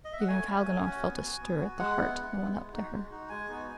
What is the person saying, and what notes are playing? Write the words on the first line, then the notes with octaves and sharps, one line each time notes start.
Even Kalganov felt a stir at the heart and went up to her.
D#5
E5
F#5
A3 G#5
C#4 F#4
A3
C#4 F#4
B3
F#4
B3
F#4
G#3 F#5
B3 E4
G#3
B3 E4
G#3
D#4 F#4
G#3
D#4 F#4
G#3 G#5
B3 D#4 F#4